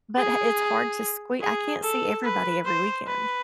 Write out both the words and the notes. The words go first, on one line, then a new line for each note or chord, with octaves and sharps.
but it's hard to sque I can't see everybody every weekend,
G#4
G#4
A4
B4
C5
B4